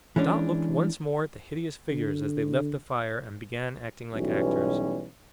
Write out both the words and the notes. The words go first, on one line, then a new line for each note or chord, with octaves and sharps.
Dot looked once more at the hideous figures as they left the fire and began acting like actors.
E3 G#3 C#4 D4
D3
B1 B2 E3 G3 C#4